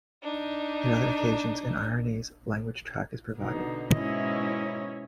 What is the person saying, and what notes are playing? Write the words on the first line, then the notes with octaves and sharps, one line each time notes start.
In other occasions, an Aranese language track is provided.
D4 D#4
B2 D3 D#4
G#2 B2 C#4 E4 D#5